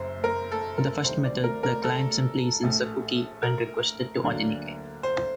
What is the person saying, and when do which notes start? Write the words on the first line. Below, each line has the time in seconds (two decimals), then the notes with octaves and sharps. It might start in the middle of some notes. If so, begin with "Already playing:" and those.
In the first method, the client simply sends the cookie when requested to authenticate.
Already playing: F#1 F#2 C5
0.24 A#4
0.52 A4
0.78 A#4
1.04 D2 C3 D#3 G3 C5
1.25 D5
1.44 A#4
1.63 A#4
1.84 A4
2.63 A#1 A2 A3
3.43 A#4
4.23 D2 D3 F#3 A#3 D4
5.03 C5